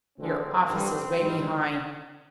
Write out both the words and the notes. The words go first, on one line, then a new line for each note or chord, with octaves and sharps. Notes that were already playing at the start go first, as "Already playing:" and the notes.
Your office is way behind.
D2 D3 G#3 C4
G2 D3 G3
G#2 G3